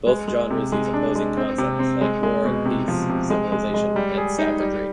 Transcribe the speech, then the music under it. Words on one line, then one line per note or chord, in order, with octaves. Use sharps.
Both genres use opposing concepts like war and peace, civilization and savagery.
G#3
G#3
C3
G#3
D4
G#3
C4
C3
C4
G#3
G#3
B2
C3
F3
C3
G#3
G#3
G#3
G3
G#4
D#4
G3